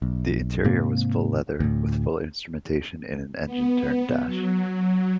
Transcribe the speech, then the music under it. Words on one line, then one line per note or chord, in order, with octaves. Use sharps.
The interior was full leather, with full instrumentation in an engine-turned dash.
B1
G#2 C3 A#3
D2 A2
B3
F#3